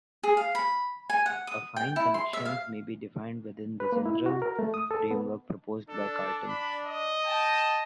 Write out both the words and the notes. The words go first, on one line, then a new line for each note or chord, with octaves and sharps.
Affine connections may be defined within the general framework proposed by Cartan.
G#4
F5
B5
G#5
F#5
D#6
G5
E4
C6
E5
F5
B4
A#3
E4
F#4
A#4
A3
D#6
A4
B3
D4 A4
B5
D#5
G5 A5